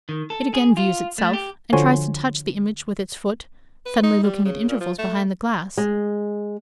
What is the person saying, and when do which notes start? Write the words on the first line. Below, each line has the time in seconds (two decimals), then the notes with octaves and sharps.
It again views itself, and tries to touch the image with its foot, suddenly looking at intervals behind the glass.
0.09 D#3
0.30 A4
0.54 G#4
0.77 F4
1.18 A3
1.33 G4
1.73 D3 F3 F#4 C#5 G#5 C6
3.85 B4
4.03 D#4
4.23 G3
4.45 C#3
4.68 A#2
4.80 F3
4.98 A3
5.78 G#3